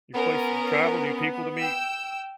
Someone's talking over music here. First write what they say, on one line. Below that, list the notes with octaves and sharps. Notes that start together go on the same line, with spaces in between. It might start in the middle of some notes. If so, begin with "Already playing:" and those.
new places to travel, new people to meet.
B3 C#4 A#4
G5 E6